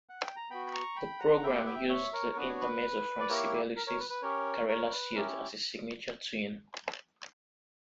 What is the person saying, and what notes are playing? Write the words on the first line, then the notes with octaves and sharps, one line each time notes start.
The programme used the Intermezzo from Sibelius's "Karelia Suite" as a signature tune.
F#5
G5
A#5
B3 F#4 G5 B5
B5
A#5 C#6
G5 B5
F#5 A#5
B3 E4 G4 E5 G5
F#5
E5 G5
C#5 E5
A#4 C#5
B3 D4 F#4 B4
C#5
B4
D5
A#3 E4 G4 A#4 C#5
A#4
A#4 C#5
B4
B4
C#4 G4 A#4 C#5
A#4 C#5
C#5
B4
C#4 E4 G4 A#4